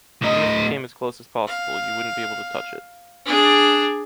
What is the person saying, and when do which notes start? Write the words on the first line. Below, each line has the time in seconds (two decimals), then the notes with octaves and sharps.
Even if you came as close as possible, you wouldn’t be able to touch it.
0.22 A2 D#5
1.47 F5
3.26 D4 G#4